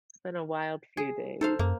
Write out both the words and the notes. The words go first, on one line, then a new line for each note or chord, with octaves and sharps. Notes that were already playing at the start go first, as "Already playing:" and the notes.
it's been a wild few days.
G#4
D#4 A4 C5 F5
F#2 A#3